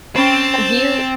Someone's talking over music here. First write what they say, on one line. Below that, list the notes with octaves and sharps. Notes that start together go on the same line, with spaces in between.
Have you
C4 C#4 A5 B5